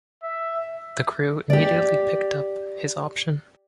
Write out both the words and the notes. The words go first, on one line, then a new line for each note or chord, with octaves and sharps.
The Crew immediately picked up his option.
E5
G4 D5